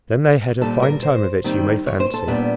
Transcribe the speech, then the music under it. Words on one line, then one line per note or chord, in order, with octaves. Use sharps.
Then they had a fine time of it, you may fancy.
A#2 G3 C4 A4
A#4
C5
D#3 G3 C4
C#5
C5
A4
A#2 G3 B3 D4